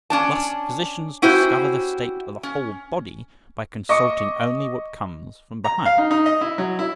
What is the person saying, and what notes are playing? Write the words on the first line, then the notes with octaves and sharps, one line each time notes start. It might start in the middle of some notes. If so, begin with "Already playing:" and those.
Thus physicians discover the state of the whole body by consulting only what comes from behind.
C#4 D4 A5
C#4 E4 F#4 G4 C5
C#4
D#5 C#6 D6 C#7
A#5
F5
D#4
D#4
D#5
E4
F#3
E4